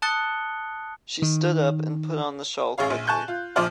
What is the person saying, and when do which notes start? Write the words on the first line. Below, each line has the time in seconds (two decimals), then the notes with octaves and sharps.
She stood up and put on the shawl quickly.
0.02 A5 D#6 F#6 A6 C#7 G7
1.22 D#3
2.78 A1 G#4 C#5 F5
2.90 A#1
3.07 G#5 A5 C#6 F#6 G6
3.28 F4
3.56 A#1 F3 C5 D5 F6